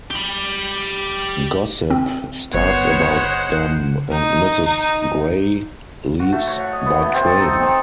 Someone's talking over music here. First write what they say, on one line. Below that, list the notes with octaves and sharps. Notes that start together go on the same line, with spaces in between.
Gossip starts about them and Mrs Gray leaves by train.
G4 B5
C4
G1 G#3 B3 C5 C#5 F#5
D#4
D#4
F#4
A3
C#5
F#5
D#5
B3
A3
C4
A4
D#4
C4